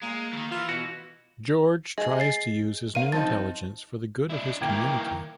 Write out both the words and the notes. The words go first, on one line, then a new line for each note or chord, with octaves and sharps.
George tries to use his new intelligence for the good of his community.
G#3 A#3
D#3 E3
E3 F4
B2 F#4
G#4 D#5
A6 C7
A#4 F5 D#7
F3 C4 D#4 A6
D4 E4
D#3 A#3 E4 G5 D6 G#6